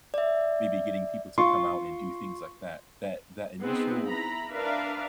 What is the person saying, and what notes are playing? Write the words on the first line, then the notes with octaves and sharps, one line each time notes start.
maybe getting people to come out and do things like that that that initial
D5 E5
F4 C6 C#6
B3 C4 D#4 G#4
E4 A#5 B5
D4 A#4 B4 E5 F5